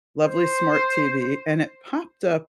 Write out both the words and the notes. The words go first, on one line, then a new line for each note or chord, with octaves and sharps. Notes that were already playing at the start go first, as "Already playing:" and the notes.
lovely smart TV and it popped up
C5